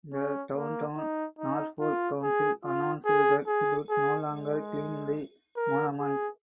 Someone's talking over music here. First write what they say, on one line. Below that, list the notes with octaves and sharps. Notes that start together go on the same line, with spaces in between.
The Downtown Norfolk Council announced that it would no longer clean the monument.
C#4
A#3
D#4
D#4
F4
G#4
F4
G#4
G#4
G#4
G#3
A#4
G#4